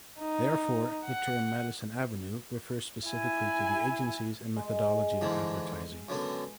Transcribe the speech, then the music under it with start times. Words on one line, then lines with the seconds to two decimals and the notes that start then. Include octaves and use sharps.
Therefore, the term "Madison Avenue" refers specifically to the agencies, and methodology of advertising.
0.20 D#4
1.05 F#5
3.09 E4 G#5
4.56 G#3
5.21 E2 G#2 D3
6.08 F#2 D3 B3